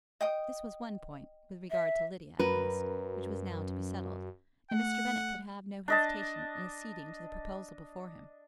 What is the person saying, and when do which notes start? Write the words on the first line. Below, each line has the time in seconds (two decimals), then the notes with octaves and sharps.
This was one point, with regard to Lydia, at least, which was now to be settled, and Mr. Bennet could have no hesitation in acceding to the proposal before him.
0.21 D#5 G5 D#6
1.71 E5
2.39 F#2 A#4 B4
4.71 A3 F#5
5.88 D4 D#5 A5